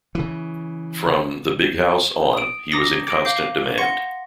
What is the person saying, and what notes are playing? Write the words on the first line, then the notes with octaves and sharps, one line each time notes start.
From "The Big House" on, he was in constant demand.
C#3 E3
D#6 D7
A#5 D6 D#6 A6 A#6
D6 A#6 D7
F5 D6 G6 C7
F#5 C6 C#6 A#6 C#7